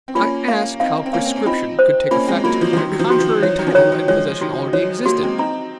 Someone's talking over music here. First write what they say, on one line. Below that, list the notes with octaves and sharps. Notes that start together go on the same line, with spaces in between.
I ask how prescription could take effect where a contrary title and possession already existed?
C4
A#3 C#4 F4
A#3 C#4 F5
C4 D#4 F5
C4
A#3 C#4 F5
C4
C#4
C4 D#4 F4
C5
A#3 C#4 F4
G#3 C4
F#3 A#3 F4
F3
F3
D#3 F#3 F#4
F#3
F3
D#3 F#4
F3
F3 C#5
D#3 F#3
F3
D#3 C#5
D#3
F3 G#3 C#5
D#3 F#3 F#4
F3 C#5
F#3 A#3 F#4
G#3 C4
C4 D#4 A#5